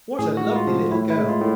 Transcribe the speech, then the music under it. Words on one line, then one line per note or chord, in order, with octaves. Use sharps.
'What a lovely little girl!
A2 G#4
F#4
G#3
F4
F3
A2 E4
E4
G#3
F4
A2